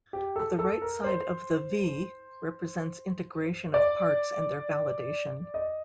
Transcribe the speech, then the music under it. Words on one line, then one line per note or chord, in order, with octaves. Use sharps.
The right side of the "V" represents integration of parts and their validation.
G4
A4
A4
A#4
C5
D5
D#5